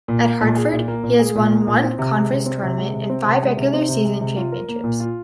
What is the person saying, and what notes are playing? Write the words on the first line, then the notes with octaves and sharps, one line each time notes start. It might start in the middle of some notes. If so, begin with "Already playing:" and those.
At Hartford he has won one conference tournament and five regular season championships.
A#2
A#3
A#2
G#4
A#2
A#3
A#2
G#4
A#2
A#3
A#2
C4
C3
G#3
C3
C4
C3
G#3
C3
C4
C3
G#3
C3
C4
C3
G#3
C3
F4
A#4
A#3
A#2
F4